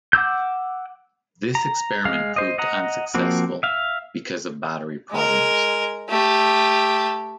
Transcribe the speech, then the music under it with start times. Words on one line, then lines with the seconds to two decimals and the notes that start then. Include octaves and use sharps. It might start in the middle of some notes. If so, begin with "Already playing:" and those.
This experiment proved unsuccessful because of battery problems.
0.13 F#5 D6 E6 G6
1.55 A#5
2.05 G#3 F5
2.36 C5 D#5
2.58 D#5 F#5 A#5
3.15 F3 A#3 C4 F#4
3.63 E5 F5
5.11 G#3 A#4
6.09 A3 G4